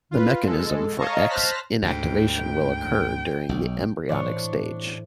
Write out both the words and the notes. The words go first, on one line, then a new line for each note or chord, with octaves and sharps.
The mechanism for X inactivation will occur during the embryonic stage.
F4 B4
G#3 A4
C#5 D#5 F5 A5 A#5 C#6
C5 A5 F6 F#6 A#6 B6
D2 G#2 G5
B1
A2 E3 D4 C5 C#5